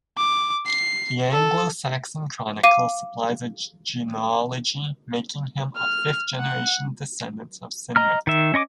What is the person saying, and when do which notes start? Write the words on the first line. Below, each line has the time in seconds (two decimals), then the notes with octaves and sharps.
The "Anglo-Saxon Chronicle" supplies a genealogy, making him a fifth-generation descendant of Cynric.
0.17 D6
0.66 C7
1.32 A4
2.63 F5 D6 D#7
5.77 F6
6.39 F#5
7.96 D#5 A#5 F6
8.27 D#3 E5
8.54 C#4 D#5 C#6 D6